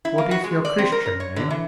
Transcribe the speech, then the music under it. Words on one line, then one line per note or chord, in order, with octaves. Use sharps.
"What is your Christian name?"
E4
A#3
F#4
G#3
D5
C4
A#4
A#4
C#5
D3
E3